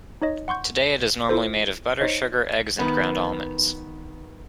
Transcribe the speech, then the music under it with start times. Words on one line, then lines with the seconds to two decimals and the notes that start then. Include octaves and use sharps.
Today it is normally made of butter, sugar, eggs, and ground almonds.
0.22 D#4 C#5 D#5
0.48 F#5 C6 C#6 G6
1.29 E4 F4 A4 C5
2.00 D#4 C5 C#5 D#5
2.79 D#3 B3